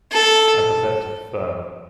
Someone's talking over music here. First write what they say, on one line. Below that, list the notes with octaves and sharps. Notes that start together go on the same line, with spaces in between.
I prepared to be firm.
A4